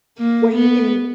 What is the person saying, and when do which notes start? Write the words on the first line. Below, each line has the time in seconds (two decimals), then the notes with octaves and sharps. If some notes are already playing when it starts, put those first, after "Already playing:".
where you can
0.18 A#3
0.55 B3